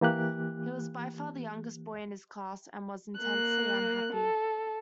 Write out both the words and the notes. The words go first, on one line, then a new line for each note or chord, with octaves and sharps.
He was by far the youngest boy in his class and was intensely unhappy.
E3 A#3 G4 F#6
A#3 F#6
A4